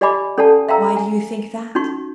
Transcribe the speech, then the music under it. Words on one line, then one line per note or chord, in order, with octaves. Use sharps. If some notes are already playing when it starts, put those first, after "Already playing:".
"Why do you think that?"
G4 D5 D#5 G#5 B5 D6
C#4 A4 D5 F#5 G#5 A5
E5 F5 G5 A#5 E6
G#5
C#4 D#4 F#4 C#6